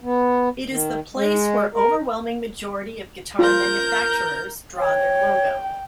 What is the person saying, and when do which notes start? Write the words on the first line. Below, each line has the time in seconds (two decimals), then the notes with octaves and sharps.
It is the place where overwhelming majority of guitar manufacturers draw their logo.
0.01 B3
0.69 D#3
1.15 G#3
1.74 A#4
3.39 F4 A#4 A#5 G6
4.79 C#5 G5